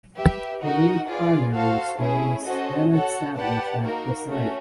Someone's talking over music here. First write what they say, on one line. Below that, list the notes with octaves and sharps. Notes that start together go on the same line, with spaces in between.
A new primary school was then established at the site.
G4 B4 E5
D#4 F#4 A#4 D#5 F#5
F4 G#4 B4 D5
F#4 A4 C5 F5 A5
A3 C#4 E4 G#4
C#4 F#4 A4 C5 D#5
F#4 A4 C#5 F#5
G4 B4 D5 F#5 A5
A#3 D#4 F#4 A#4
A3 C#4 F#4